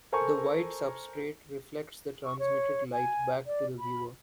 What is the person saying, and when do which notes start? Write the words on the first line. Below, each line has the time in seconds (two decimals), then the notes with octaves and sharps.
The white substrate reflects the transmitted light back to the viewer.
0.12 A4 A#4 C5 G#5 A#5 C#6
2.25 C#6
2.39 C#5
2.92 G#5
3.47 D5
3.79 B5